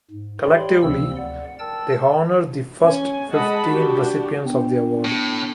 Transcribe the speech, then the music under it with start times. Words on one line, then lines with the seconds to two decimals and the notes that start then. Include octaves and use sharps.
Collectively, they honor the first fifteen recipients of the award.
0.11 G#2
0.43 G4 C#5 D5 G5 B5 C6
0.82 D2 C3 F3 A#3 C4 E6
1.17 D5 F#5
1.59 A#4 G5 A5 E6 A6
2.82 C#4 G#5
3.32 G#3 D#5 F#5 A5 B5
3.68 D4 F#4 G4
4.45 B3 D4 G5
5.04 A2